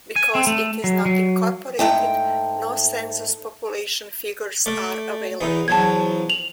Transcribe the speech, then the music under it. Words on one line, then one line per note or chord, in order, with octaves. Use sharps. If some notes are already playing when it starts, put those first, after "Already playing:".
Because it is not incorporated, no census population figures are available.
G#5
C4
A3
F#3
F#3
G#2 A3 G5
A3 D5
E2 E3 D#4
E2 F3 F#3 A5 G#6
F7 F#7